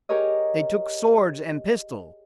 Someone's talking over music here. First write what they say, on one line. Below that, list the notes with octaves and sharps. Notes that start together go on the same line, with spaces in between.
They took swords and pistols.
G4 G#4 A#4 C#5 D#5